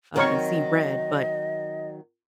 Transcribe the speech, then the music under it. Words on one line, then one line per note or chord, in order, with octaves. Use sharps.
um, and see red, but
D#3 F#3 C4 A#4 C#5 D#5 C#6